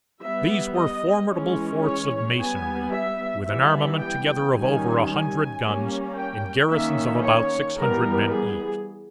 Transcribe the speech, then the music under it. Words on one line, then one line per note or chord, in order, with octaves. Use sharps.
These were formidable forts of masonry, with an armament together of over a hundred guns, and garrisons of about six hundred men each.
G3 B3 E5
D#5
E3 G#3 C#4
C#5
G3 B3 G#5
E5
E3 G3 B3 E5
G5
D#3 G3 C#4 G#5
G#5
G3 A#3 C#4
G5
D#3 A#3 C#4 E5
C#5
E3 G3 B3 A#4
G#4